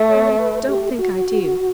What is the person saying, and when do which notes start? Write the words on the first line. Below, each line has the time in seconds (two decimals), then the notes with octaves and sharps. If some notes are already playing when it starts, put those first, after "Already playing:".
'I don't think I do.
Already playing: A3
0.09 C#5
0.39 B4
0.68 G4
0.99 F#4